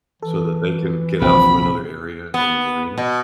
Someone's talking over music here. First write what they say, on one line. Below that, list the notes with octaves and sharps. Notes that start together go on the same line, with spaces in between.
so that they can get out from another area in the marina,
E3 A4
A#1 D#2 C3 C4 B5
B3
B2